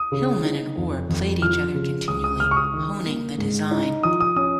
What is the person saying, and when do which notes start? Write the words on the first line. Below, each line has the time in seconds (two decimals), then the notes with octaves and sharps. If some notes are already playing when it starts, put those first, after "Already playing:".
Hilleman and Orr played each other continually, honing the design.
Already playing: D#6
0.12 C#3
0.45 D#4
0.77 F2
1.09 F2
1.42 F3 F6
1.75 C#3
2.08 C#2 D#6
2.24 D#6
2.40 C#3 F6
2.51 C#6
2.57 D#6
2.74 D#3
3.06 A#3
3.38 G#2
3.71 D#4
4.03 F3 D#6
4.20 D#6
4.36 C#4 D#6